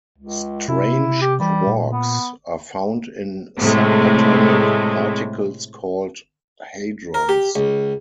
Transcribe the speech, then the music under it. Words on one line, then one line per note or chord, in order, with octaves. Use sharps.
Strange quarks are found in subatomic particles called hadrons.
C#2
C3 E4
G4
E3 G3
A#2
B3
A2 C3 G#3 A3
A#4
G4
C#2